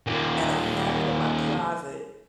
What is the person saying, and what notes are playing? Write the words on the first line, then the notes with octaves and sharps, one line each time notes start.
and I have it in my closet,
D#2 A#2